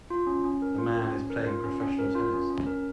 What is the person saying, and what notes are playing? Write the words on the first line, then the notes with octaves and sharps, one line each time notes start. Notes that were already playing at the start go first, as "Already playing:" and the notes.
The man is playing professional tennis.
F4
C#4
C#4
A#4
F4
C#4
C#4
A#4
F4
C#4
C#4
A#4
F4
C#4
C#4
A#4